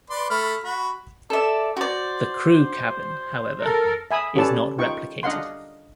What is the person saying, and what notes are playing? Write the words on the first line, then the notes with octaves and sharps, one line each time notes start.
The crew cabin, however, is not replicated.
B4 D5 C6
A3 B5 F6
F#4 B5
A4 D5 E5
F#4 C5 D5
A4 A#4
E5 G#5 B5 D#6
C#4 G4 A4 B4 D5 A5
D#4 F4 G5 C#6
D4 D#5 F5 F#5 C6